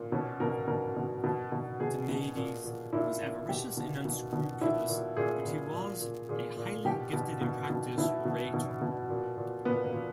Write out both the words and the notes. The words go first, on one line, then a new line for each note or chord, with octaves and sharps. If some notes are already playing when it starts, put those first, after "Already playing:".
Demades was avaricious and unscrupulous, but he was a highly gifted and practised orator.
Already playing: A#2
B2 C#4
B2 A#4
B2 A#4
B2
B2
B2
B2 G#4
B2
A#2
A#2
A#2 E4
A#2
B2 G4
B2
B2
B2
A#2 E4
A#2
A#2 G#4
A#2
A#2
A#2
A#2 G#4
A#2
B2 G4
B2
B2
B2
B2 E4
B2
B2
B2
A#2
A#2
A#2 B3
A#3
A#2